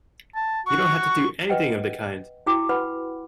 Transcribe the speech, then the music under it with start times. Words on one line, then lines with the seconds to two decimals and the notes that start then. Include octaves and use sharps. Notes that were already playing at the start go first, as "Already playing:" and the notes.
You don't have to do anything of the kind!
0.35 A5
0.66 F#4 C#6
1.50 B4 D#5 F#5 G5
2.46 E4 F#4 G5 D6
2.69 B4 F#5 B5